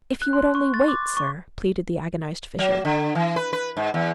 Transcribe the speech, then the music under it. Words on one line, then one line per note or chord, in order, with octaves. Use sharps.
"If you would only wait, sir," pleaded the agonized Fisher.
F#6
C6
C#6
A6
D6
C#6
F#3
D3
E3
B4
B4
G#2
E2